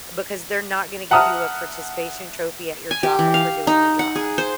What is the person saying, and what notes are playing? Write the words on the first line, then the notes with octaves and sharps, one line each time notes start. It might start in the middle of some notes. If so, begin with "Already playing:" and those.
because they're not gonna give you a participation trophy at your job for doing your job.
E5 F#5 A5 A#5 D#6 F6
G#5
G4
E3
F5
D#4
F#5
G#4
C5